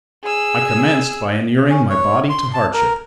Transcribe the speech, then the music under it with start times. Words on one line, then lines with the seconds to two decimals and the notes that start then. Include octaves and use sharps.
I commenced by inuring my body to hardship.
0.24 G#4 E6
1.70 C#4
1.90 C#5
2.30 C6
2.54 A5
2.74 A#4